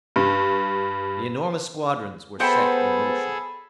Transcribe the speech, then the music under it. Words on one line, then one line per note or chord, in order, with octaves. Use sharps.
The enormous squadrons were set in motion.
G2
B3 G#4 A4 C5 F#5 G5 A5 B5